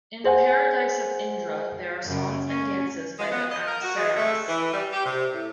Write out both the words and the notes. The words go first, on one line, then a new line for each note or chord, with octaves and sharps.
In the Paradise of Indra there are songs and dances by the apsaras.
G#4 C5 F#5 G#5
F#2 C#3
C#4
G#3
B3
D#5
A#4
F#4
G#3
A3
E3
G3
G4
C3
A2